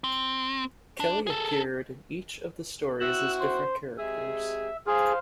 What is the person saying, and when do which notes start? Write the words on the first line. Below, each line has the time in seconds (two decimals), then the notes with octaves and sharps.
Kelly appeared in each of the stories as different characters.
0.04 C4
1.00 D4
1.27 G#4 A4
3.00 C4 E4 F#4 E6 F#6
3.40 C5
3.98 C3 G#3 G#4 E5
4.87 F3 F4 G#4 C5 F5